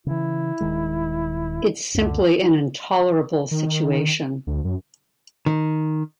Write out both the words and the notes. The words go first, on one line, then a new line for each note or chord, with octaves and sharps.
It's simply an intolerable situation.
C#3 E3 E4
D#1 D#3 G#3
C#2 F#2 D3
D#3
D2
F#2
D#3